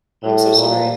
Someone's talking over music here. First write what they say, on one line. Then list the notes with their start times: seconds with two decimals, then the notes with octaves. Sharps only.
I'm so sorry.
0.24 A2
0.57 A#2